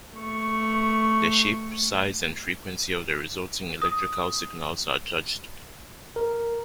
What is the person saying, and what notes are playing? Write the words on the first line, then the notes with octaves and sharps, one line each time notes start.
The shape, size, and frequency of the resulting electrical signals are judged.
A3 C#6
D#6
A#4